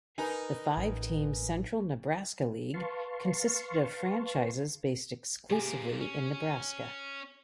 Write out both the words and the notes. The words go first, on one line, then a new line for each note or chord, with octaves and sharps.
The five–team Central Nebraska League consisted of franchises based exclusively in Nebraska.
D#4 A#4 B4 G#5
A1
B4 F5 A5 C6 C#6
C3 A#3 G4 G#4 G#5
C#4